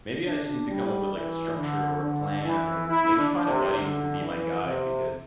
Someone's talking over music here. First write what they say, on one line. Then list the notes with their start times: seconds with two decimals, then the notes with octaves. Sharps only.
maybe I just need to come up with, like, a structure, or a plan, or maybe find a buddy who can be my guide, because,
0.25 D4
0.69 G3
1.13 E3
1.57 D3
2.00 D3
2.45 E3
2.88 E4
3.18 D4
3.46 C3
3.76 D3
4.20 E3
4.63 C3